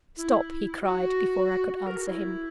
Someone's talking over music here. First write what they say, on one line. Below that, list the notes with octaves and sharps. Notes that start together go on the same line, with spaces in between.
"Stop!" he cried, before I could answer him.
E4
F#4
F#4
A#4
F#4
E4